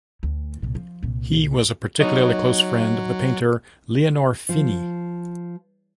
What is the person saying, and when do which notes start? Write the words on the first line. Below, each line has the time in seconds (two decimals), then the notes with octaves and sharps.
He was a particularly close friend of the painter Leonor Fini.
0.23 D2
0.62 C2 A#2
0.75 F3
1.03 C2 A#2
2.01 F#3 D#4 C#5 D#5
4.49 F3